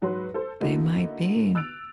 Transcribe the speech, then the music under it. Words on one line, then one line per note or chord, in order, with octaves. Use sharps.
They might be.
G#2 F#3 F#4 B4 C6
A4 C5
D3 A3 A#3 D#4 E4 F#4
E6 F#6 A6 D7 F7